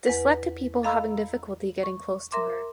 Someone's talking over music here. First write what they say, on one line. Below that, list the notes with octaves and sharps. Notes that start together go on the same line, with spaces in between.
This led to people having difficulty getting close to her.
E2 B4 F#5
A4 D#5 F5 A#5 B5 E6
C#6
A#4 E5 A#5 C6 D6